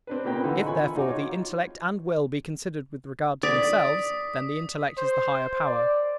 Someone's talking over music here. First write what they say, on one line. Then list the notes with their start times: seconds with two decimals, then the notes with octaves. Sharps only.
If therefore the intellect and will be considered with regard to themselves, then the intellect is the higher power.
0.07 C4 D4 B4
0.24 A#2 C#3 A#3 B3 G5
0.44 D3 E3 D#4 F4
0.65 F4 G#5 B5 C#6
0.95 D#4 F#4 D6
1.08 F4 C#5
3.43 D5 D#6 B6
4.98 C5
5.66 D5